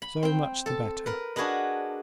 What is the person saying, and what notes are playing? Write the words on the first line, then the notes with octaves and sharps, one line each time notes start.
"So much the better."
B5
C4 G5
A4 A5
A#4 B4
D4 F#4 G#4 A#4 B4 D#5